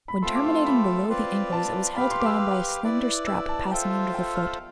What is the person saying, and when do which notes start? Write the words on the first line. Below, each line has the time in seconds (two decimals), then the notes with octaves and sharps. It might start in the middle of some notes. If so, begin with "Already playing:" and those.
When terminating below the ankles it was held down by a slender strap passing under the foot.
0.08 B5
0.22 A3 C4 F4 A4 C6
0.36 D6
0.44 C6
0.66 B5
1.09 C4 F4 B4 D5
1.52 A5
1.96 G4 B4 F5 B5
2.11 C6
2.20 D6
2.26 E6
2.84 E4 B4 D5
3.27 E6
3.49 A5
3.71 F4 A4 C5 E5 G5
4.14 G5
4.36 F6